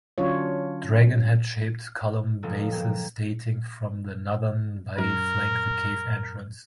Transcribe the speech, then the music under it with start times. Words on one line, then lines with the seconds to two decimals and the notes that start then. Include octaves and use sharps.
Dragon-head shaped column bases dating from the Northern Wei flank the cave entrance.
0.18 D3 F#3 C#4 D4 F4 C#5
2.43 C#2 A2 F3 F#3
2.72 G2 A#3 G5
4.98 F#2 A#4